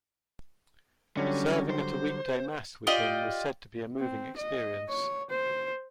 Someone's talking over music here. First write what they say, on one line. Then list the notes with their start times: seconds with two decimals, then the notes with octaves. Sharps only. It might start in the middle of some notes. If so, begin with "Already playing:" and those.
Serving at a weekday mass with him was said to be a moving experience.
1.17 D3 F#3 G3 C#4
1.70 C5
2.87 F4 G4 D5 D#5
4.00 C4
4.37 D#5
4.89 C#5
5.30 C5